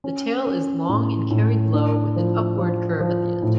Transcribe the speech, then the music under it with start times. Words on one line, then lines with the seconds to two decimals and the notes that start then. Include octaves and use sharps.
The tail is long and carried low with an upward curve at the end.
0.04 C#4
0.47 C#4
0.89 A2
1.31 A2
1.74 D4
2.16 F3
2.58 F3
3.00 F3
3.42 A2